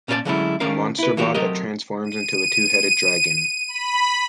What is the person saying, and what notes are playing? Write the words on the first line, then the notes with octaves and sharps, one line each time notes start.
A Monsterbot that transforms into a Two-Headed Dragon.
A#2 C#4 D4 A4 D5 A5
D3 F#3 G#3 A3 C#4 E4
D#3 A3 C#4 D4 A#4 F5
E4 B4
E3 A#3 F#4 G4
C3 F#3 A3 G4 A#4 D#5
D#7
B5